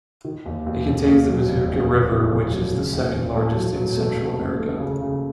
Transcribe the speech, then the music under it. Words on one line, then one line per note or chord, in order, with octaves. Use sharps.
It contains the Patuca River which is the second largest in Central America.
D#3
D#2
D#2
D#2
D#2
F#3
F1
D#2
D#2
F1
F1
F#3
C#3
D#2
D#2
A3
F#3
F#3
A3
A3
D#2
A3
C#3
C#3